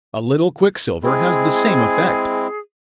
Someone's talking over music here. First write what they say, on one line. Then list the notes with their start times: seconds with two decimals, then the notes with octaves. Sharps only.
A little quicksilver has the same effect.
1.03 G#3 C4 E4 G#4